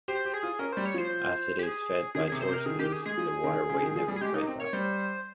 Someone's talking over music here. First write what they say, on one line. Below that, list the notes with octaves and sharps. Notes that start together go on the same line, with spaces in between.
As it is fed by sources, the waterway never dries up.
G4 C5
G4
G#4
F4
C#4 A#4
G3 C5
C#5
F3 C5
G4
G#4
D#3 G#4
C3 G#4
C5
C3
A#4
D#3 G#4
D#3 G4
G#4
G#3 G#4
F3
D#3
C#3
D#3
F3
G3
G#4
G#3 G4
A#3 D#4
C4
A#3 C#5
G3 C5